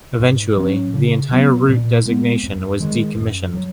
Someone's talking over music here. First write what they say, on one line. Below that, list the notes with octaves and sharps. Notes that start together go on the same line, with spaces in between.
Eventually, the entire route designation was decommissioned.
G#2
F#3 C#4
C#3
F#3 B3
A#2
G#3 B3
F2
D#3 G#3
F#2
F#3